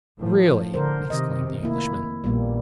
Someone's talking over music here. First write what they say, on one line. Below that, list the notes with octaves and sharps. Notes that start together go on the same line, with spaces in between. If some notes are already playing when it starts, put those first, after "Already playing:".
"Really!" exclaimed the Englishman.
A2 F3
D3 A#4 C5
C3 D#3 D#5
F1 A#3 E4
A#1 G3 A#3 B3